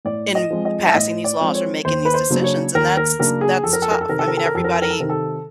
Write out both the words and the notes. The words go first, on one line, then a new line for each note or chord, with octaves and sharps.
In passing these laws or making these decisions, and that's that's tough, I mean, everybody
A2 D5
D#5
F3 G#3 C4
D#5
E5
A2 D#5
D5
F3 G#3 C4
C#5
D#2 C5
B4
C5
C#3 F#3 A#3 D4
C#5
D#2 A#4
A#4
C#3 F#3 A#3 D4 A#4
G#4
F2 A4
A#4
A4
A#4
A4
C3 D#3 A#4
A4
A#4
A4
A#4
F2 A4
A#4
A4
A#4
A4
C3 D#3 A#4
A4